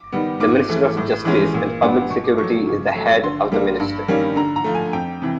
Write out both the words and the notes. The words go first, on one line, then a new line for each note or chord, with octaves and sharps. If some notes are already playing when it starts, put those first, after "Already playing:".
The Minister of Justice and Public Security is the head of the ministry.
Already playing: D6
D#3 G3 B3
G#2 D6
E3 A3
A2
E3 G#3 C#4
A#2
G3 B3 D4
B2 C#6
D6
F#3 A3 C#6
C#3
F#3 A3
D3 C6
G3 A#3 D4
G2
D#3 G3 A#3 C#4
D3 A#5
A#5
F3 A3
G#5
F2 G5
C3 E3